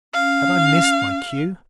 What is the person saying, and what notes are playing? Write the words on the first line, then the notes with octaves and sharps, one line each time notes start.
Had I missed my cue?
C#4 F5